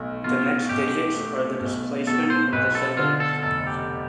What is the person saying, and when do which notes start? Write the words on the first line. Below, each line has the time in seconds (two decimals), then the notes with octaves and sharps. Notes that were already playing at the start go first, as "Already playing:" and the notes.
The next digits are the displacement in deciliters.
Already playing: B1 A3
0.24 B2 F4
0.69 B1 G4
1.16 A3
1.60 B1
2.07 B2 A4
2.30 C5
2.52 B1 B4
2.75 A4
2.97 D3 F4
3.20 A4
3.43 F1 A4
3.67 G4